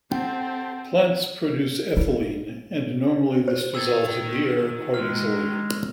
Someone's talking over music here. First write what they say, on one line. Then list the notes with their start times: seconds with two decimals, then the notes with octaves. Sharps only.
Plants produce ethylene, and normally this dissolves in the air quite easily.
0.11 C4 G4 A4 C5 F#5 G5
1.97 E4
3.48 C5
3.75 D#3 E6 G#6 A6
4.94 G#3 F6